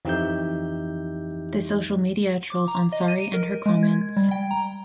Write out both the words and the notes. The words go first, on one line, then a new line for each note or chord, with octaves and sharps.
The social media trolls Ansari and her comments.
F2 E3 D#4 G4 E5 G6
D6
A#5
D#5
D#7
A#4
G#3
G#6
G#6
G3
G5
A#5